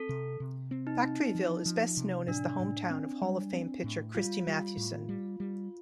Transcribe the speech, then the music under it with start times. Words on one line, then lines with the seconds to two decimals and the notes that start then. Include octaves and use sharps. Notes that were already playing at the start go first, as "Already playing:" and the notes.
Factoryville is best known as the hometown of Hall of Fame pitcher Christy Mathewson.
Already playing: C4 A4
0.09 C3
0.40 C3
0.71 C4
0.87 D#4
1.03 C4
1.35 F3
1.66 F3
1.97 C3
2.28 A2 D4
2.60 A2
2.90 C4
3.21 G3
3.53 C4
3.84 A2
4.15 G3 F4
4.47 G3
4.77 A2
5.09 G3
5.40 G3